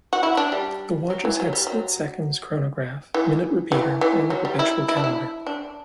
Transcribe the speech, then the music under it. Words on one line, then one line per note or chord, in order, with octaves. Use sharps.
The watches had split seconds chronograph, minute repeater, and a perpetual calendar.
F#4
E4
D4
G3
F#3
E3
F#3
G3
F#3
E3
E3
E3
F#3
G3
E4
E4
D4
E4
D4